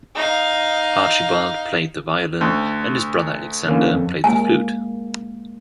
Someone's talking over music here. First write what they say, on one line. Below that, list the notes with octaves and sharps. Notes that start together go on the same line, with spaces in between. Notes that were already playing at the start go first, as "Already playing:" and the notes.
Archibald played the violin and his brother Alexander played the flute.
D#4 F5
D2
D3 A#3 C#4
F2
G#3 A#3 G#5